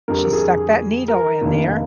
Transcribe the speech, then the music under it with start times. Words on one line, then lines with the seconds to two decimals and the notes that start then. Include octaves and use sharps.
she stuck that needle in there.
0.08 F2 D3 G3 A#4
0.25 A#4
0.33 G#4
1.08 A#4
1.41 F1 D#2 D#3 A#3 D4